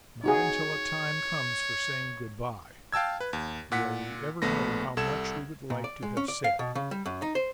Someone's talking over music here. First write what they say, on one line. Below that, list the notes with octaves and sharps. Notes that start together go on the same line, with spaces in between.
Not until a time comes for saying good-bye will we ever know how much we would like to have said.
D#4 F#4 G#4 C#5
F5 G5 A5 E6 G#6
B4
D#2
A#2 F#5 B6
A#1 A3 B3 A#6
C2 A4 G#6 E7
A#2
D5
G#3
C#4
D5
F5
B2
C#3
G3
F#2
D#4
C5